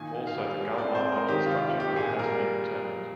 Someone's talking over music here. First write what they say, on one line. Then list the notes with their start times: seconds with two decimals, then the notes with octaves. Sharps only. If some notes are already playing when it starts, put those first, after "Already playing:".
Also, the Galois module structure of has been determined.
Already playing: A#2 D#3 G#5
0.15 D#3
0.27 F5
0.38 G3
0.61 G#3
0.78 D5
0.83 C4
0.95 C5
1.06 G#3
1.12 A#4
1.28 D#3 G4
1.46 F4
1.52 C3
1.62 F4
1.74 A#3
1.80 G4
1.96 A#2 G#4
2.19 G3 A#4